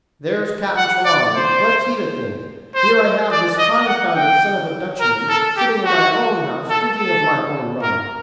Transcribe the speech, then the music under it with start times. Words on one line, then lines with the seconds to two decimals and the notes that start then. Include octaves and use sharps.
There's Cap'n Trelawney--what's he to think? Here I have this confounded son of a Dutchman sitting in my own house drinking of my own rum!
0.77 F#5
1.05 D5
1.34 C5
2.75 C5
3.31 D5
3.58 D#5
3.87 F#5
4.15 G5
5.00 A#4
5.29 A4
5.57 G4
5.85 F#4
6.69 A4
6.97 A4
7.82 A#4